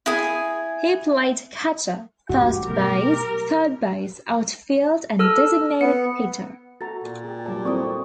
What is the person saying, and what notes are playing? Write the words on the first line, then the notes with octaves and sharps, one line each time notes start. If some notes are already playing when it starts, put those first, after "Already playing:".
He played catcher, first base, third base, outfield and designated hitter.
E4 G#4 G#5
A1 G2 F#4 G4
B2 F#3 A3 A#4
A4 E6 F6
B3 C#7
F#4 A4 A#5 A6
A#2
G#4 G5
F#3 G3 D5 A5
C4 E4 A4 D5 C#6 D#6